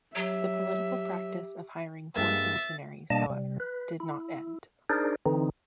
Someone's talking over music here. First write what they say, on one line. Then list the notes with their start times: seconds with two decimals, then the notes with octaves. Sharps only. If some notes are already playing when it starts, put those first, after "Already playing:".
The political practice of hiring foreign mercenaries, however, did not end.
0.15 F#3 G4 E5
2.16 G2 G#3 A#3 E5 A6
3.10 B2 G3 A#3 D4 D#5 A5
3.30 C3 G3
3.60 B4
4.00 E4
4.90 D4 D#4 G#4 A#4 C5 D5
5.26 D3 E3 C4 D#4